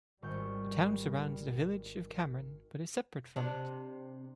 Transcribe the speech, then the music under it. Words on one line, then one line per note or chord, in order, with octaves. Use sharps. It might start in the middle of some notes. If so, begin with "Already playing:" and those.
The town surrounds the village of Cameron but is separate from it.
G#1 G3 C#6 G6
C3 D4